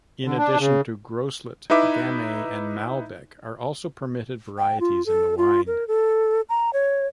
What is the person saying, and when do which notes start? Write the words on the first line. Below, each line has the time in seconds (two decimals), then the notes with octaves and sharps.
In addition to Groslet, Gamay and Malbec are also permitted varieties in the wine.
0.25 D3
0.38 D4
0.59 C#3
1.70 D#4 E4 B4 E5 D6
4.58 G5
4.80 F4
5.06 A4
5.38 F4
5.67 A#4
5.88 A4
6.49 A#5
6.73 C#5